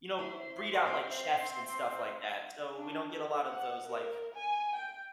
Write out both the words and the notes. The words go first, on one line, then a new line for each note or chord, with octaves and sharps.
you know, b breed out, like, chefs and stuff like that. So we don't get a lot of those, like,
E4 C5 E5 C6
C4 C5 G5
D4
A4
F#5
A#4
G#5
G5